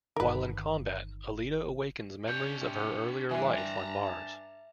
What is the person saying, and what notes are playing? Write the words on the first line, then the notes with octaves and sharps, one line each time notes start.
While in combat, Alita awakens memories of her earlier life on Mars.
G1 D#3 A#4 B4
D4 C#5 G6
C3
G2 E3 E5 G#5
A5 A#5